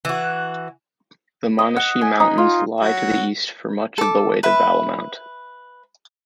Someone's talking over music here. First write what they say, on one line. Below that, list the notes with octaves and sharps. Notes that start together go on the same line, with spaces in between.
The Monashee Mountains lie to the east for much of the way to Valemount.
E3 F#4
D#5
F#5
G#5
D#4
F4
F#3 F#4 F#5
A4 D6
B4 E5 B5